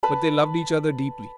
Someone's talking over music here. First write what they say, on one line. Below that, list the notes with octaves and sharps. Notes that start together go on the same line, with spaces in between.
But they loved each other deeply.
B4 A5 B5